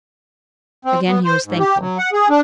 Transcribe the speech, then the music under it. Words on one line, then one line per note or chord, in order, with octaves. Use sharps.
Again he was thankful.
C4
B3
C5
G#2
G4
F#3
F#5
G#4
D4